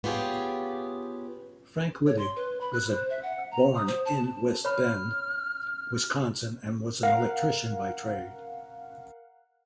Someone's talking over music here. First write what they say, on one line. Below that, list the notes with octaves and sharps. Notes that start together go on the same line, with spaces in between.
Frank Weddig was born in West Bend, Wisconsin and was an electrician by trade.
B3 F4 G4 G#4 C#5
C#5
C6
B4
B5
F#6
C5
E5
F#5
A#5
D#6
C5
A5
C#5 B5 F6
A#4 F5 F#5